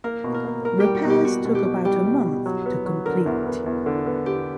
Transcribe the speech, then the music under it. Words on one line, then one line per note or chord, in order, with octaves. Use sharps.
Repairs took about a month to complete.
A#3 A#4
B2
A#4
A#3
A#3 A#4
G3 G4
F#4
B2 G4
B2 F#4
B2
G4
B2
G3 G4
B2
B2
F#3
B3
F#3
D3 A#4
E2
B3
E2
D3
B3
D3 G4